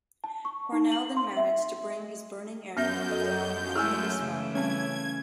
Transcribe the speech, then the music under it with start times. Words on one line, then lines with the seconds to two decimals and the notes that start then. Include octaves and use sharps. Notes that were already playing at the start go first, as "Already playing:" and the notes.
Hornell then managed to bring his burning aircraft down on the heavy swell.
0.24 A5
0.45 C#6
0.72 D#4
0.92 F#7
1.17 C6
1.37 E5
2.77 F#2 B3 E5 F6 G6 A#6
3.10 A4 D#5
3.76 G#3 A3 E4 G#4 G#5 E6 F6
4.19 C#3 E3 A3
4.55 G3 C4 C#4 G#6